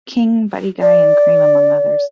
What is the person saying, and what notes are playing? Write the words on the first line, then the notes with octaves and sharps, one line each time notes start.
King, Buddy Guy and Cream among others.
D5